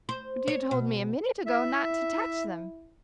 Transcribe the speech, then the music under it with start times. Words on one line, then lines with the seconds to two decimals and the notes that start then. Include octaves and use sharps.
"But you told me, a minute ago, not to touch them."
0.09 C5
0.48 C#5
0.71 B2
1.46 E4 E5